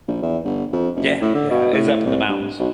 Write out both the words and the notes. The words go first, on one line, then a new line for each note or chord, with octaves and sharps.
Yeah, yeah, it's up in the mountains
A#1
E2
G1
F2
F#1
A2
D3
B2
A2
C2
G2
B1